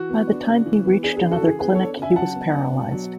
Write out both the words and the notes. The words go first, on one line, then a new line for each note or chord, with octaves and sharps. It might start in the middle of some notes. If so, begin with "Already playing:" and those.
By the time he reached another clinic, he was paralyzed.
Already playing: E3 F#4
B3
D4
C#3
E3
B3
D4 G#4
G#4
C#3
F#4 A4
E3 G#4
B3 G#4 B4
D4 A4 C#5
C#3
E5 G#5
F#3 F#5 A5
B3
D4
B2
F#3